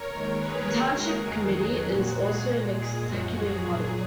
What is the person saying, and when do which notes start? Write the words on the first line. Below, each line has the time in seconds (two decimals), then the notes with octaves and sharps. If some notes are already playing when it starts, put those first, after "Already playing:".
The Township Committee is also an executive body.
Already playing: A#4 C#5
0.09 D#2 D#3 G#3
0.38 G#4 B4
0.69 D#2 C#3 G#3 F#4 A#4
0.98 G#4
1.27 F2 D#3 F#3 G#4
1.57 F#4
1.86 A#2 G#3
2.15 G#4
2.45 A#2 G#3
2.74 G#4
3.03 F#2 F3 G#3 F#4
3.33 G#4
3.63 A#2 F#3 G#4